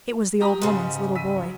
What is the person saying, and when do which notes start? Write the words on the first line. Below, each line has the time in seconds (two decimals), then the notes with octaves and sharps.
It was the old woman's little boy.
0.41 G4 A#5 D#6
0.62 G#2 C#3
1.15 E6 B6 D#7
1.36 F#3